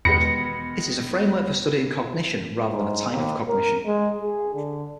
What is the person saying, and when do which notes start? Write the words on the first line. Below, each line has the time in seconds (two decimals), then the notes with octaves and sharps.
It is a framework for studying cognition rather than a type of cognition.
0.05 E2 B2 D#3 G#3 B3 B5 A#6 C#7
2.71 G#2
3.12 D#2
3.48 A#4
3.85 G#3
4.22 G#4
4.55 D3